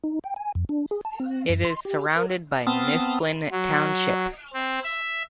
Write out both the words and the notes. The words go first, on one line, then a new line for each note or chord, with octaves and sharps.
It is surrounded by Mifflin Township.
D#4
G5
G#5
F2
D4
G#4
A5
C4
F#2
C6
G4
A#4
B3 C4 A5 D#6 F6
F#3
C4
E5